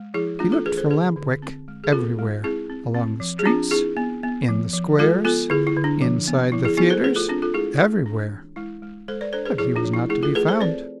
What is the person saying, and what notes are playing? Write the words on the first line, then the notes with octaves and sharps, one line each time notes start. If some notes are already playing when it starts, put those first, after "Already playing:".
He looked for Lamp-Wick everywhere, along the streets, in the squares, inside the theatres, everywhere; but he was not to be found.
Already playing: G#3
F3 E4 G#4
A3 D4 F4
F4 A4
E3 G#4 B4
A4 C5
D3 G#4 B4
D3
C4
G#3
G#4
C4 F4 A4
G#3
C4 E4 G#4
C4
C4
F3
G#4
C4 D4 F4
C4 E4 G#4
B3
B3
F3
F3
G#3 F4 A4
B3 F4 A4
D3 E4 G#4
E4
D3
D4
F3
B3
F3 E4
E4 G#4
B3 E4 G#4
A4 C5
A3 G#4 B4
F4 A4
C4 D4 F4
F4 A4
G#3 E4 G#4
G#3
D4
E3
G#3 E4
G#3
G#3 A4 C5
B4 D5
D4 A4 C5
G#4 B4
F3 E4 G#4
D4 F4
F3
E4
A3 E4 G#4
F4 A4
A3 G#4 B4
A4 C5
C4 B4 D5